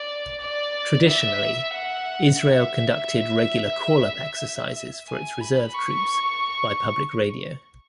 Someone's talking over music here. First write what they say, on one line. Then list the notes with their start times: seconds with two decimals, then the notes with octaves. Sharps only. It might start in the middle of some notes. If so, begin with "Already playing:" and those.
Traditionally, Israel conducted regular call-up exercises for its reserve troops by public radio.
Already playing: D5
0.40 D5
1.06 E5
1.73 F#5
2.40 E5
5.07 G#5
5.40 B5
5.73 C#6